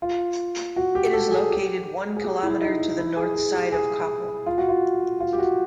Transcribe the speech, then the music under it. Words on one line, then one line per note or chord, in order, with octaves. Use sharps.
It is located one kilometer to the north side of koppal.
F4
F#4
G4
A4
G#4
G4
G#4
G4
E4
D#4
E4
E4
G#4
G#4
G4
G#4
F4
F#4
F4
F4
G4
F#4